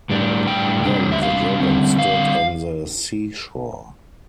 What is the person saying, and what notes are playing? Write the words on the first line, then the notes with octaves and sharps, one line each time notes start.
Then the Dragon stood on the seashore.
A2 G3 D4
G5
C3 G3 D4
E5
F5
D3 G3 C4
F5